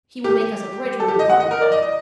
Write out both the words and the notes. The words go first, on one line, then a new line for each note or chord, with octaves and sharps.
He will make us a bridge when we want one.
G4
A4
G4
D#5
F#5
D#5
A#4
D5
D#5
D#5